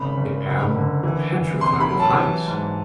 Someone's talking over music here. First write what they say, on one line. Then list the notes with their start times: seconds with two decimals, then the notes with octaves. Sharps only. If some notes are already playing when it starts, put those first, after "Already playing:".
I am petrified of heights.
Already playing: G#1 C#3 B5
0.17 G#1
0.46 F#1
0.75 D3
1.03 E3
1.33 E3
1.61 C2 C6
1.80 B5
1.90 F#3
2.00 A5
2.20 E3
2.47 G#2